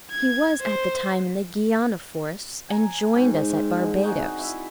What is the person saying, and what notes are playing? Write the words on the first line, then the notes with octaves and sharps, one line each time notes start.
He was at the time in the Guiana forests, and joined us at Barbados.
G#6
C5
G#5 A#5
G#2 C4
D3 G#3
D#4 F#4 G#4
E4 E5